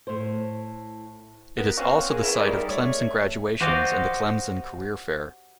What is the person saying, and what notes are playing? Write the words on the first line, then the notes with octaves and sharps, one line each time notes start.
It is also the site of Clemson graduations and the Clemson Career Fair.
A2 C5
B3 F#4 A#4
C4 C#4 F#4 F5
G#4 A#4
B3 E4
G3 G#3 D#4 A#4 D5
A3 C#5
F#4 G4 C5 D5 D#5 F5